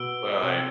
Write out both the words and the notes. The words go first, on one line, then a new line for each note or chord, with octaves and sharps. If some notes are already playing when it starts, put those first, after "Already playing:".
but like
Already playing: B2 B3 E6 D7 G7
C3 C4